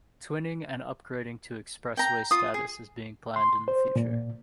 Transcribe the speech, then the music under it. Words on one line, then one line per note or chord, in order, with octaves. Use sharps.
Twinning and upgrading to expressway status is being planned in the future.
G5 A#5
F4 D#6
G#4
C6
C5
A#2